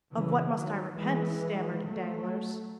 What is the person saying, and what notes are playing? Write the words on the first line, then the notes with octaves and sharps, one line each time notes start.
"Of what must I repent?" stammered Danglars.
C#3 E3
D#3 F#3
E3 G#3
F#3 A3